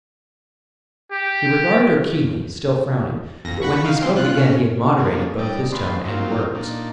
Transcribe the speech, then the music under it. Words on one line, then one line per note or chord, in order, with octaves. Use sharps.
He regarded her keenly, still frowning, but when he spoke again he had moderated both his tone and words.
G4
F2 A#6
F#5 B5 C#6
D#4 F5
E3 C4 C6
C3 F4 F#6
C#4
G#3 A#3 C#4 D4
G3 D4 D#5 G5
D#2 G#3 F4 B4 D5 C6
F#3 A#3 C4 D#4 F4
A#2 D4 D#4